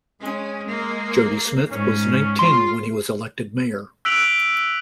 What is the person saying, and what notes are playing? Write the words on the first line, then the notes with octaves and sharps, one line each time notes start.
Jody Smith was nineteen when he was elected mayor.
G#3 C#4
A#3
G#2 C#4
F4 C6
E6 F#6 B6 D7 F7 F#7